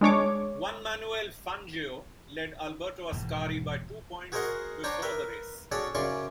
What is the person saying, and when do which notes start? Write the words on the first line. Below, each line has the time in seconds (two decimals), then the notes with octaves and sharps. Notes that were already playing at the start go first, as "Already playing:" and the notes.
Juan Manuel Fangio led Alberto Ascari by two points before the race.
0.01 G#3 D4 C#5 D6
3.12 E1 G#2
4.32 F#4 G#4 A#4 C5 D#5 F#5
4.84 D4 C5 C#5 G5 A#5
5.02 A#4 B4 E5
5.72 C#4 F#4 G#4 A4 C#5 D5
5.95 F#2 C#3 C#4 D5 C6 C#6